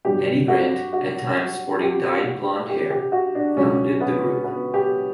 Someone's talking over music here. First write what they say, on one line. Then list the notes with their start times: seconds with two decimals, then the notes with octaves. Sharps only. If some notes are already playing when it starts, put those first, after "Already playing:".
Eddy Grant, at times sporting dyed blond hair, founded the group.
0.05 G2 F#3 G4
0.48 F#4
0.93 F#4
1.81 G4
2.69 G4
2.90 G4
3.12 F#4
3.35 D4
3.56 C#2 B2 F#3 C#4
4.01 B3
4.44 B3
4.74 G4